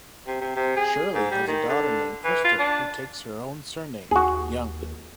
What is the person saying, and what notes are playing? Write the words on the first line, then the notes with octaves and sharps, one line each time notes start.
Shirley has a daughter named Krystal who takes her own surname, Yeung.
C3
C3
C3
G#4
G#2
G3
D#3
D3
E3
F4
D4
D#2 F#4 G#4